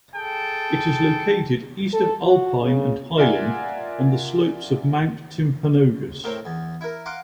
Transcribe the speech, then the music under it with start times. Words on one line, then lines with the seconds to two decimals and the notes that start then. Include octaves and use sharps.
It is located east of Alpine and Highland on the slopes of Mount Timpanogos.
0.16 G#4 A4 G5 A5
1.93 A4
2.25 F#4
2.61 C#3
3.18 F4 A#4 D5 E5 F#5 G#5
6.24 A2 C4 A#4
6.45 E2
6.81 E4 A#4
7.06 F5 F#5 A#5 C6 D6